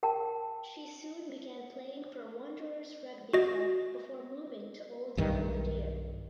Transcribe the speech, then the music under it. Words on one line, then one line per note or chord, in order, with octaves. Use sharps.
She soon began playing for Wanderers Rugby Club before moving to Old Belvedere.
A#4 G5 A5
F#4 D#5
B1 G2 D#3